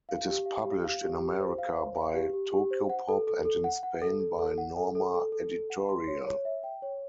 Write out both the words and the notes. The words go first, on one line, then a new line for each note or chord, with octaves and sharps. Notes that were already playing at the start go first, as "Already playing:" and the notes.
It is published in America by Tokyopop and in Spain by Norma Editorial.
F5
G4
F5
G4
F5
G4
G4
C5
F5
C5
F5
G4
G4
G4
C5
F#5
A4
A4
A4
F#5
F#5
A4
A4
A4
F#5
A4
A4
A4
A4
A4
F#5
C6
C#5
C#5
E5
G5
C#5